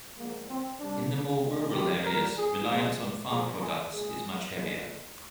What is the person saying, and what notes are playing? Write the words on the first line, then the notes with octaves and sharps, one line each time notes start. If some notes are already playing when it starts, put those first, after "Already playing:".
In the more rural areas, reliance on farm products is much heavier.
D3 F3 G#3 A#3
C4
C3 G3 D4
A#2 G#3
G4
A#2 G3 A#4
G#4
C3 F3 G#3
D3 F3 G#3 G#4
G#4
A#2 G#3 G#4
A#2 G#3